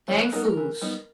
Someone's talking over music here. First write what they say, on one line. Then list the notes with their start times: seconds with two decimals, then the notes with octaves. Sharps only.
Chang Foo's!
0.08 E3 C#5
0.15 A#4
0.21 B4
0.32 G3 B3 D#4 A#4
0.45 A#4
0.57 E3
0.81 G3 B3 D#4